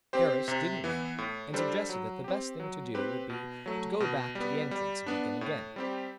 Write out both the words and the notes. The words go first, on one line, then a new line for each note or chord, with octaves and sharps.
Harris didn't know, and suggested that the best thing to do would be to go back to the entrance, and begin again.
C4 G4 C5
C3
E3 B3
A2
G3 D4 A4 C5
F#3
C4 G4
F#3
C4 G4 B4
B2
F#3 A3
B2
G3
B3
G3
B3 D4
A2
G3 C4 G4